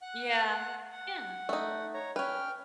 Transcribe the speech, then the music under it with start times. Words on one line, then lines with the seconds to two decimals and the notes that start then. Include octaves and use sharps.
Yeah, yeah.
0.02 F#5 F#6
0.92 F#5
1.49 A3 D#4
1.94 C#5 A#5
2.16 C#4 B4 G5 F6